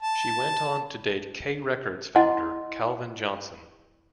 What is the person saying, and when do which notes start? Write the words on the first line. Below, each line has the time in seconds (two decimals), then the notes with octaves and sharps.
She went on to date K Records founder Calvin Johnson.
0.01 A5
2.15 E4 D#5 F#5 A5 C6